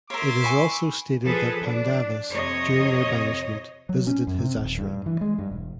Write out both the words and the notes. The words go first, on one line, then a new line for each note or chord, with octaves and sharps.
It is also stated that Pandavas, during their banishment, visited his Ashram.
A#4 C#5 E5 C6 D6
G#5 B5 C#6
F3 G#4 A4 B4
D4
F2 C3 C#5 D#5
F#3
C#4
F#2
C3
D#1
G2
E3
G#3
G2
E1